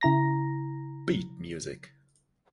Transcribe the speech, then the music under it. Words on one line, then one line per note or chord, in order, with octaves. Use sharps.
Beat Music!
C#3 E4 A#5 A#6